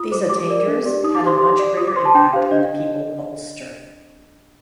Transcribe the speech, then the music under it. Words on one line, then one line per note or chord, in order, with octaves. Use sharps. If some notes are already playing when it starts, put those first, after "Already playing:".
These attainders had a much greater impact on the people of Ulster.
Already playing: F4 D#6
C5 D6
G4 D6
A#4 D5
D4
G4 D5
D#4 D#6
D6
G4 C5 C6
G4 D6
D5
F4 D#6
D6
C5 C6
A5
D4 G5
G4 C5 F5
D4 D#5